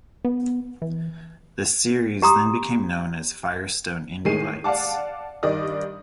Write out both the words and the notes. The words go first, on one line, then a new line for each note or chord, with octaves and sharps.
The series then became known as "Firestone Indy Lights".
B3
E3
G4 A#5 C6 D#6
A2 D#3 G#3 G#4 C7 D#7
D5 F5 F#5 A5 D6
G2 D#3 D5 D#5 D#6